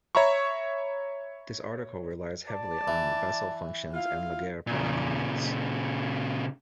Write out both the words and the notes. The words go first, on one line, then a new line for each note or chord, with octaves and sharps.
This article relies heavily on Bessel functions and Laguerre polynomials.
C#5 E5 A#5 B5 C#6
D5 A5
E3
E4 F4 F5
A#2 C#3